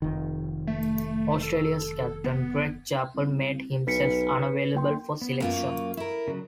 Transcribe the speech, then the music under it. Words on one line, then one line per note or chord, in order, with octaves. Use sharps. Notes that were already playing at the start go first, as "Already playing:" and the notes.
Australia's captain Greg Chappell made himself unavailable for selection.
F1 D#3
A3
A4
B3
C2
B1 B4 B6 C#7
F#1 A#3 G5 C6
B3
F#2 A#3 F4
C#6
E4 A#4
C#3 F#3